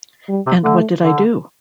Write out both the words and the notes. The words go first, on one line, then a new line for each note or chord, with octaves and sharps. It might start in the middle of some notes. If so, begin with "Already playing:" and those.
And what did I do?
G3
C3
D3 A3
D3